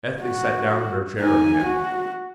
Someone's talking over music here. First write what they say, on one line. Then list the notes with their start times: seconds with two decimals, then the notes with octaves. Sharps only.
Ethne sat down in her chair again.
0.23 F#4
1.19 D#4 G#5
1.65 F#4